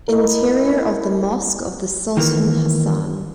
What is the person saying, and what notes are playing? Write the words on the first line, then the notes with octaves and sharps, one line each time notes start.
Interior of the Mosque of the Sultan Hassan.
E4 A#4 D#5
D#3 E3 A#3